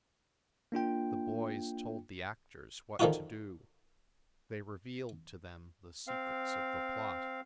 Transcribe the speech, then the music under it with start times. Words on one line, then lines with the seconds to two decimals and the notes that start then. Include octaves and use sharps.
The boys told the actors what to do; they revealed to them the secrets of the plot.
0.72 A#3 D4 F4 G5
2.99 D3 D#3 F3 D#4 F4 F#4
6.07 C4 F5